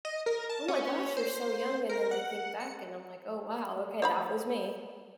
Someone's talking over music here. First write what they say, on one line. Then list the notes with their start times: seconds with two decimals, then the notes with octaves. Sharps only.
"Oh my gosh, you're so young," and then I think back and I'm like, "Oh wow, okay, that was me."
0.05 D#5
0.26 A#4
0.49 A5
0.68 C#4
1.17 C5
1.89 A#4
2.11 F#5
2.60 C#7
4.02 C5 F5 B5